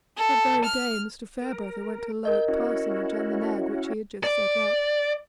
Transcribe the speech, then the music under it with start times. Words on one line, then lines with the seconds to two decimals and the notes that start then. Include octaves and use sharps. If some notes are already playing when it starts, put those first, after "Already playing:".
That very day Mr. Farebrother went to Lowick parsonage on the nag which he had just set up.
0.18 A4
0.65 F6
1.42 A#4
2.25 A#4 D#5 G6
2.48 C#4 E4 F#4
4.24 D5